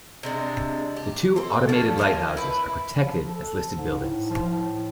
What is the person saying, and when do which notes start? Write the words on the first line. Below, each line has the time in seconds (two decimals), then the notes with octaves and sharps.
The two automated lighthouses are protected as listed buildings.
0.23 C3 G#3 D4
0.96 G4
1.36 C4 A4
1.69 F3 C#4 D4 A5
1.98 F3 A#3 C#5 G#5
2.37 E4 B4
3.04 F3
3.29 A4
3.76 G#2
3.99 A2
4.30 F3
4.48 A2